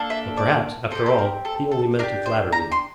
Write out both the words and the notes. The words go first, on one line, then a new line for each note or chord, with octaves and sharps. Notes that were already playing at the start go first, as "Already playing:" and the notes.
But perhaps, after all, he only meant to flatter me.
Already playing: A#3 D4 A4
E5
D5
C4 G4 A4
A4
A#4
A4
A4
D4 G4 A#4
C5
A#5
C6